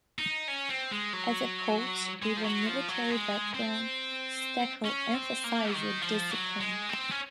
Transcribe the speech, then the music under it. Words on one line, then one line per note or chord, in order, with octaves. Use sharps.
As a coach with a military background, Steckel emphasized discipline.
D#4
C#4
C4
G#3
F#3
G#3
F3
F#3
F3
F#3
G#3
C4
C#4
C4
A#3
D#3
F3
F#3
G#3
C4
C#4